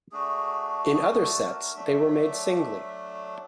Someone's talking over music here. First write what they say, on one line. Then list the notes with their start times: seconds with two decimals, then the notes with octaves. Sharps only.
In other sets they were made singly.
0.12 A3 D4 F#4 G#4
0.94 G#4
1.21 A4
1.48 A#4
1.75 F#3 A3 D4 E5